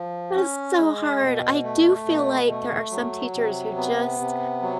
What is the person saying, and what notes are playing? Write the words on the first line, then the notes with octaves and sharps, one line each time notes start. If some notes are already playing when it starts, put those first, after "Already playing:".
That's so hard. I do feel like there are some teachers who just
Already playing: F3
C#4
G#3
B2
A3
B2
A3
F#3
C3
B3
C3
F#3